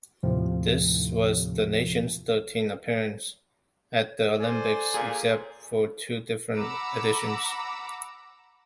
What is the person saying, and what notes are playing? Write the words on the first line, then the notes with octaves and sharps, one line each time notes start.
This was the nation's thirteenth appearance at the Olympics, except for two different editions.
D#2 A2 C3 F3
A4 C5 D5 G#5
A#2 G#4
F#5 A#5 B5 D6 E6